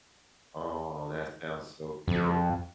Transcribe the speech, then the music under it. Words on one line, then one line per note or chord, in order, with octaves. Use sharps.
Oh, that sounds so good.
F2